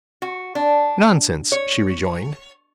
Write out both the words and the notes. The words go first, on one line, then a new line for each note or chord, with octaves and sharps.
"Nonsense," she rejoined.
F#4
D4
C#5